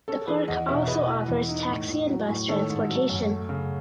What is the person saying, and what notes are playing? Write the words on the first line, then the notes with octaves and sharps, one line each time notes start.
The park also offers taxi and bus transportation.
C#4 A4
A4
E3 G#4 B4
E2 D#5 F#5
B2 C#5 E5
B2 B4 D#5
E4
E2
D#4
A2
A2
F#3
A2
D#3 A4 C#5
G#2
F#3
F#2
A3
C#3